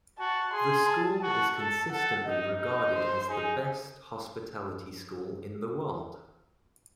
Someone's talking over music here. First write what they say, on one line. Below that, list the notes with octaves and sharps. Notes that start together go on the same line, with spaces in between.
The school is consistently regarded as the best hospitality school in the world.
F#4 A5
G#4 C6
A5
F#4 A5
A4 A5
A4 F#5
D#4 D#5
D#4 D#5
C5
D#4 G#4